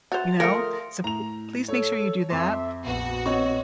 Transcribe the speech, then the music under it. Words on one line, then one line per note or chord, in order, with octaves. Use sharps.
You know, so p please make sure you do that,
F#4 C5 E5 A6 F7
F3 A3 F4 A#4 G5 C#7
C6 D#6
A2 A#5 F7
A4 C#5
F2 E5 C6 D6
A#1 B3 F#4
C4 C#5 D#5 C#6